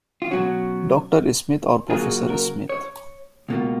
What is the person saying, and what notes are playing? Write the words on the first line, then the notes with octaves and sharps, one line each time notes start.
Doctor Smith or Professor Smith.
F4
B2 F#3 C#4 F#4
C#3 F#3 A#3 F4 G#4
A#4
C#5
C#2 B2 A#3 F4